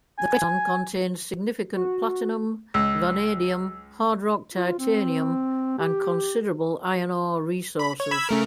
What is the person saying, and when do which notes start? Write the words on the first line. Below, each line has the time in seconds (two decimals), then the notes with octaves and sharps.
The craton contains significant platinum, vanadium, hard-rock titanium and considerable iron ore resources.
0.18 G#5
1.75 F#4
2.74 C#2 E6
4.54 F4
4.79 C4
5.79 G4
7.79 B5
8.00 C#5
8.11 B5 E6 G#6
8.29 C#3 A3 A#4